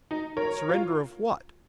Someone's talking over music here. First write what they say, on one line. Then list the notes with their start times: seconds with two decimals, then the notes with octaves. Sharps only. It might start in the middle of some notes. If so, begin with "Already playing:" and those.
Surrender of what?
0.11 D#4
0.37 A#4 C#5
0.69 F4